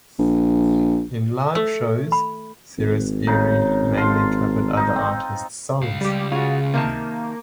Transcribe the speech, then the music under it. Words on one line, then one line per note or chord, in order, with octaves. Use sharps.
In live shows, Cyrus Erie mainly covered other artists' songs.
A#1
A3
B5
G#1
C#3 D#4
F4 A5 C6
D#4 D#5
C4
C#2 F5
G3 G4
C#3 F4 F#4
C3 D#3 A#3 A5